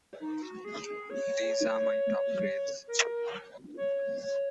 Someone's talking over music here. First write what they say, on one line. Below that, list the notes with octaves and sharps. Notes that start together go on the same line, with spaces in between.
These are my top grades.
D#4
F#4
G#4
G#4
C#5
A#4
C#5
C#5